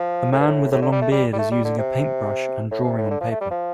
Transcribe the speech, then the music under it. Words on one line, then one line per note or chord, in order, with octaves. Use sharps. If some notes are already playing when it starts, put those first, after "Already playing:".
A man with a long beard is using a paintbrush and drawing on paper.
Already playing: F3
A2
G2
A2
A2
D3
G3
A3
G3
G3
A3
G3
D3
C3
A2
C3
A2
D3
F3
A3
G3
F3